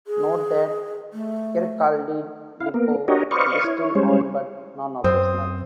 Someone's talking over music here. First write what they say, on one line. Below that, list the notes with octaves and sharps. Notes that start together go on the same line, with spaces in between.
Note that Kirkcaldy depot is still owned but non-operational.
G#4
A3
E4 F5
A#3 B3 A#4
D4 F#4 G4 A#4 C#5 D#5
B4 C5 D5 D#5 F5 C#6
E4 C#5
G3 G#3 C#4 C5 C#5
F#2 C4 C5 D#6